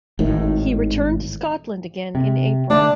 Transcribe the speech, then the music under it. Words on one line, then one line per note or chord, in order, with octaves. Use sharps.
He returned to Scotland again in April.
G#1 A2 D#3
C3
D3 A3 D4